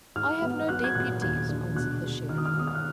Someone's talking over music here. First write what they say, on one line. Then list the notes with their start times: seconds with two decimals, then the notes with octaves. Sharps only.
"I have no deputies," answered the sheriff.
0.16 G#2 F6
0.42 B3
0.69 F#3 F#6
0.84 G#6
0.95 A#2 F#6
1.22 D#2 G#6
1.49 D3
1.75 B2 F#6
2.03 G#3
2.29 D#3 F6
2.38 D#6
2.46 F6
2.56 B3 D#6
2.67 F6
2.75 F#6